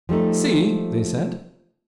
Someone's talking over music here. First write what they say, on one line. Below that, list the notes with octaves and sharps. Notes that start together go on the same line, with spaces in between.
"See!" they said.
F3 G3 A3 D#4